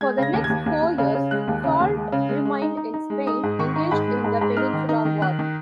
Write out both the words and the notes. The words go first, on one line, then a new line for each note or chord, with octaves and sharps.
For the next four years Soult remained in Spain engaged in the Peninsular War.
G#3 G#6
C#3 A#6
D#2
G#6
D#2
D#2
D#2
C#3
C#3
G#3 F#6
D#2
C#3
D#2
G#3
C#3
G#3
G#3
D#4
D#4
D#4
G#3
D#4 D#6
G#2
D#3 C#6
D#4
G#2 B5
G#3
G#2
G#2
D#4 F6
D#3
D#4
D#3
D#3 F#6
D#3